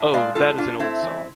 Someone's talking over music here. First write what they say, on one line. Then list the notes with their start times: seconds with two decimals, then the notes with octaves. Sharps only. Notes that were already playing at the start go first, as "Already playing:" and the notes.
Oh, that is an old song!
Already playing: A2
0.14 G#3 D5 F5
0.35 A2 F4 A4
0.58 A2 D4 F4
0.79 A3 C4 E4
1.02 E3